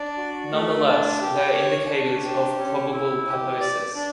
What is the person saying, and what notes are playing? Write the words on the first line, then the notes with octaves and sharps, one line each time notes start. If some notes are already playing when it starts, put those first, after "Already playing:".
Nonetheless, they are indicators of probable pathosis.
Already playing: D4 D5
F#4
A3
D4
G4
C#5
D4
G4
C#4
E4
G4
D5
D4